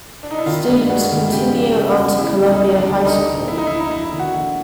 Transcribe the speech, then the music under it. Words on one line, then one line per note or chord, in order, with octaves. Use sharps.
Students continue on to Columbia High School.
D4
D#4
E4
D#3 F4
G2
G#3 F#4
D#3
C#3 G4
F3
G4
C#3
F#4
E1
C#3 E4
D2
D#4
C#3
D4
D2
D3 D#4
D3
F3 E4
D#4
D3 E4
D#4
A#1 E4
D#3
F#4
A#1